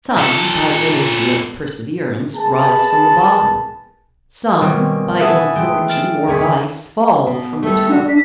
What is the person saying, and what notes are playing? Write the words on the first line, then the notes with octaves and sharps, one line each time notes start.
Some, by energy and perseverance, rise from the bottom; some, by ill fortune or vice, fall from the top.
A#2 A4
A#3 G#4 B4 A5
B2 D#3 G3 A#3 C4 C#4
E5 F#5 G#5 A5 B5 D#6
E3 G#3 A3 G5
F6 A6 C7 D7 E7
D#2 D3 A#3 G#4 C#6 B6
B2
G3 A3 A4
D4 F#4
B6